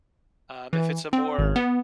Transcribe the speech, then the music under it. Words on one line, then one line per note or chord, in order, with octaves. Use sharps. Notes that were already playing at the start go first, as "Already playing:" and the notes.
um, if it's a more,
E3
C4
G#1
B3